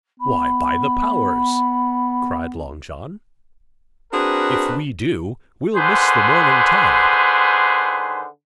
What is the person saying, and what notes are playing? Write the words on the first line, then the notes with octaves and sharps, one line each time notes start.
"Why, by the powers," cried Long John, "if we do, we'll miss the morning tide!"
B3 B5
C4 D4 F#4 G#4 A#4 B4
D3 D#3 G#4 B4 C5